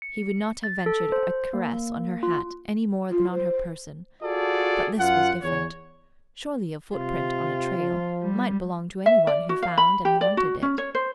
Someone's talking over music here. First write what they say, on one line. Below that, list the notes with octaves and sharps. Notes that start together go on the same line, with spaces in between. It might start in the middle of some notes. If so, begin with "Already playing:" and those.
He would not have ventured a caress on her hat any more than on her person, but this was different. Surely a footprint on a trail might belong to anyone who found and wanted it.
C#7
A6
A4
C5
A#3
F4
F4
C5
F4 F#4 G#4 A4 D5
F#2 F4 F#5
E2 C#5
C3 F4
F3
G3
E5
D5
F#4
F5
B5
G4
D5
F#4
C#4
C#5
C5